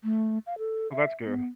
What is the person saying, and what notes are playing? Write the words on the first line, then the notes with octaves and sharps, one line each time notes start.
Oh, that's good.
A3
F5
A4
E5
B3